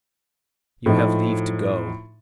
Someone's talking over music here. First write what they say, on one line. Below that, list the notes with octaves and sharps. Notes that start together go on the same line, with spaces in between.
You have leave to go....
A2 F3 D#4